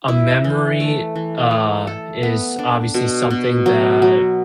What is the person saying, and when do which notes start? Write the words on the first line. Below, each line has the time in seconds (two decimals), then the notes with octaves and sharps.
a memory, uh, is obviously something that
0.08 E4
0.44 E3
0.80 A3
1.16 E3
1.51 A3
1.87 A4
2.23 B3
2.59 D4
2.94 B2
3.30 B2
3.66 F#3
4.02 F#3